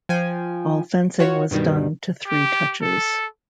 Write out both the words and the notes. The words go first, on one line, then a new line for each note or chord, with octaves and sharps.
All fencing was done to three touches.
F3 G5 G#5
F4 F#4 C#5
G2 B2 D#3 G3
G4
A4